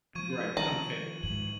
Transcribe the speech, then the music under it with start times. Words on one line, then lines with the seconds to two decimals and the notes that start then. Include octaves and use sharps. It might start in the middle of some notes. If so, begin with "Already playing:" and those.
Right, okay.
0.15 F3 C#6 G#6 D#7
0.57 D#3 F3 G3 A5 A#5 D#7 F#7
1.23 G#2 F#7